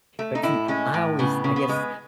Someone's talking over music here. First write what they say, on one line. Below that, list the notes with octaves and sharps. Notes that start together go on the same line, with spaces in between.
but see, I always, I guess,
A3
D#4
A2 E4
G#3 C#4
A2
C#3 B3
C#3
B3
G#3